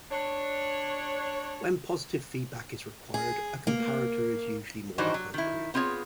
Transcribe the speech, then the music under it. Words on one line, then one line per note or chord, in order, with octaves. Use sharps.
When positive feedback is required, a comparator is usually more appropriate.
D4 C#5
G#4
A#3
D#3 E3 D4 D#4 F#4 C5
F#3
D#3 E4
B3 C4 F4 G#4 C#5